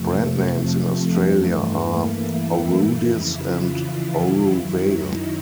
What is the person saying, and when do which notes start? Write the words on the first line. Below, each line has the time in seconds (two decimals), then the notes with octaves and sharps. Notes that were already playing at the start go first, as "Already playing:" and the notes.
Brand names in Australia are Orudis and Oruvail.
Already playing: F2 C3 F3 A3
0.64 A3
1.42 G2 E3
1.80 A#3
2.19 E4
2.96 F2 C#3 E3
3.36 F4
3.74 E4
4.52 F#2 D#3 F#3
4.91 D#4